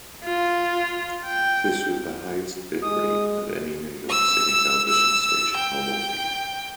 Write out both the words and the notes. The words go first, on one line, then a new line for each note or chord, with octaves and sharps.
This was the highest bitrate of any New York City television station mobile feed.
F4
G5
G#3 D#6
E6
E6
G5